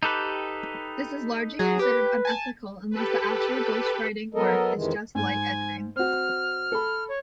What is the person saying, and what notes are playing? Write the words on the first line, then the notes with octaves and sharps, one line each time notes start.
This is largely considered unethical unless the actual ghostwriting work is just light editing.
D#4 G4 A4 B4
F#3 G#4
G4 B4
G#5 A5
G4 A4 B4
F#3 B3 A4 A#4 D#5
F2 C3 D#3 E3 G#3
G#2 G#5
C4 F#4 F6
A4 B5
C#5